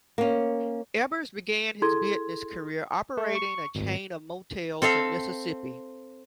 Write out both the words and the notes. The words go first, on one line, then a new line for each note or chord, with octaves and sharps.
Ebbers began his business career operating a chain of motels in Mississippi.
A#3 C#4
E4 G#4 A4 C6 G#6
A3
C#6
G#1
C4 A4 E5 F5